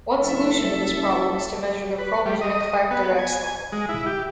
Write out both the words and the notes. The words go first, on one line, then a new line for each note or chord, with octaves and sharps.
One solution to this problem is to measure the chromogenic factor X level.
F#1 A4 E5
B4
G3
D#5
B3
G#5
G#3
E4
G4